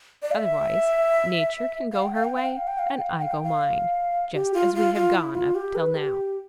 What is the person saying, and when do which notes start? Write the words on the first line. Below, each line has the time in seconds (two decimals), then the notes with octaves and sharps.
Otherwise, Nature can go her way and I go mine, just as we have gone up till now.
0.23 D5
0.31 F5
0.35 E5
1.93 F5
2.03 G5
2.14 F5
2.25 G5
2.36 F5
2.46 G5
2.57 F5
2.67 G5
2.79 F5
2.89 G5
3.00 F5
3.11 G5
3.22 F5
3.32 G5
3.43 F5
4.34 G4
4.54 F4
4.74 F4
4.95 F4
5.15 E4
5.35 F4
5.55 G4
5.75 B4
5.95 G4